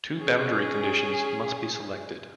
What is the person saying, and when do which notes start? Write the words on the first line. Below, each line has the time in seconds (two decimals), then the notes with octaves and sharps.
Two boundary conditions must be selected.
0.19 C#4 G#4